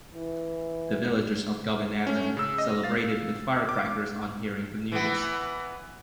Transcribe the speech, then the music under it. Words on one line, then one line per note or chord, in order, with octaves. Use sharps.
The villagers of Gopinatham celebrated with firecrackers on hearing the news.
E3
A3 C#4
C#3 E6
D#5
F5 A6
D6
E3 B3